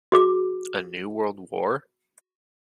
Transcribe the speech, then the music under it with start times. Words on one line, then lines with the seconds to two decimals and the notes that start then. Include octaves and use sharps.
A New World War?
0.12 F#4 G#4 D6